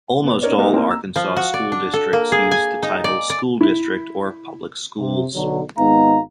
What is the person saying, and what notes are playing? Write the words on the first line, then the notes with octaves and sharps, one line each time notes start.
Almost all Arkansas school districts use the title "School District", or "Public Schools".
B3
C#4 D#4 A#4 C#5 D5
A3 B3 D#4 G4 A#4 D#5
A#3 C4 E4 A#4
A#5 E6
F3
F#4
D5
D4
A4
A#3
G#4
G#5
D#4
D5
D5
E4
C3
B1 D3 F#3
G#1 G#3 B3 D#4 F5 A#5